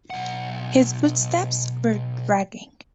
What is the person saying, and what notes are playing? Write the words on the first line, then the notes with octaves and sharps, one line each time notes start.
His footsteps were dragging.
B1 F#5